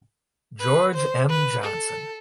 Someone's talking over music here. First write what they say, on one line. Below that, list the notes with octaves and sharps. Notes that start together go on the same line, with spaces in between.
George M. Johnson.
B4
C5
B4
A4